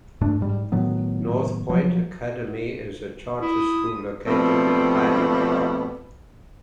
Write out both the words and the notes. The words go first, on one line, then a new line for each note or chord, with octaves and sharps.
Northpointe Academy is a charter school located in Highland Park.
G2 A3 D4
G#2 G3
A2 D#3 F#3 B3
F3 F#3
E4 D#6
B2 F3 G3 A3 B3 C4